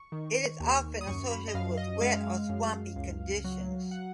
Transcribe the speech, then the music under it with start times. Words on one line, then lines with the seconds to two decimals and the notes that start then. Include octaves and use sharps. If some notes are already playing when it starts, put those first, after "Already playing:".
It is often associated with wet or swampy conditions.
Already playing: C#6
0.12 D#3
0.60 D#2
1.01 D#6
1.07 F#2 C#6
1.31 B5
1.48 D#5
1.54 F#2 F5
1.77 D#5
2.01 G#3 F5
2.49 F#2
2.96 C#2
3.44 F#3
3.91 F#5